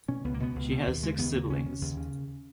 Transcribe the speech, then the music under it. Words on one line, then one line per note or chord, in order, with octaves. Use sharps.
She has six siblings.
B2 C#4
C#2 B3
A#3
B2 B3
C#2
B2
D#2
C#3 G#3
D#2 B3
C#3 A#3
D#2 C#4
C#3
D#2
C#3